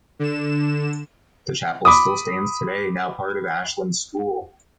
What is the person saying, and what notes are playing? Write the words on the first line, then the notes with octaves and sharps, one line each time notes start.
The chapel still stands today, now part of Ashlyns School.
D3 E7
B5 D6 D#6